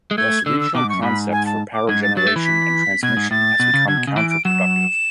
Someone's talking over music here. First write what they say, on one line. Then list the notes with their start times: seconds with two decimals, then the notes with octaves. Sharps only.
Thus regional concept for power generation and transmission has become counter productive.
0.11 G#3
0.17 A3 G#6
0.45 D3 E6
0.60 E6
0.75 B2 D6
0.84 G#2
0.89 F#2 C#6
1.03 G#2 B5
1.32 G#5
1.46 A5
1.74 D6
1.88 G#2 G#6
2.03 A6
2.17 F#3 A6
2.27 A3
2.36 E3
2.45 B6
3.03 B2 G#6
3.17 G#2
3.31 A2 A6
3.60 B2
3.74 C#3
3.88 D3 G#6
3.97 B2
4.07 C#3
4.16 E3 D7
4.30 D7
4.45 F#3 E7